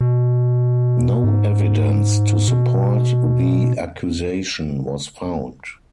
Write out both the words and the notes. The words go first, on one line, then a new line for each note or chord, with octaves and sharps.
No evidence to support the accusation was found.
B2
G#2
B2